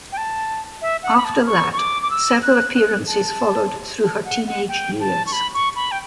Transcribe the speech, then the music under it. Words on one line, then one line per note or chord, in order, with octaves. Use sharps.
After that, several appearances followed through her teenage years.
G5
A5
E5
F#5
B5
A5
C#6
C#6
D6
D6
E6
F#6
F#6
A5
A5
F#5
F#5
G5
A5
C#6
B5
C#6
B5
G5